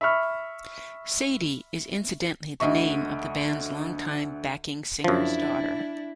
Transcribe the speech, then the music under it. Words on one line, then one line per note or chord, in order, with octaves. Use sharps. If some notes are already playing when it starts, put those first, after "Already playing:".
Sadie is incidentally the name of the band's longtime backing singer's daughter.
E5 B5 C#6 F6
D2 D3 D#5 E5 C#6
F#2 F3 D4 E4